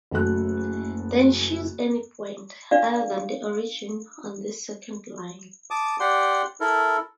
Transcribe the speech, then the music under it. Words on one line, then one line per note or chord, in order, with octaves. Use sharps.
Then choose any point, other than the origin, on this second line.
F#1 F#2 A3 F#4 A4 F#6
D4 D5 F5
A5 D6 D#6
G4 D5 F#5 G5 C6
E4 A4 A#4